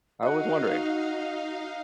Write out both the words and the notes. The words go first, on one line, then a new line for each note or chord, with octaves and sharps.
I was wondering,
D#4 F#4 D#5 F5 F#5